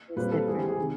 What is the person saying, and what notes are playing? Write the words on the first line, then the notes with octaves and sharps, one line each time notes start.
It was different.
A#2 G3 C4 B4
A4
E3 G#3 C4 G#4
G4
G#4
C3 D#3